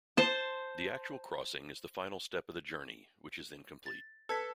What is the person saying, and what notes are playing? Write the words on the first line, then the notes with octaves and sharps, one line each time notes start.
The actual crossing is the final step of the journey, which is then complete.
C5 A5
A6
A4 B4 G#6 B6